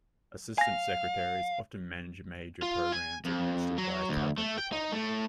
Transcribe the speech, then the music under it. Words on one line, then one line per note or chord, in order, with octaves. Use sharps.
Assistant Secretaries often manage major programs administered by a Cabinet Department.
F5 G#5 A#6
F4
G#5
F2
F#3
D2
A3
G5
D#4
A2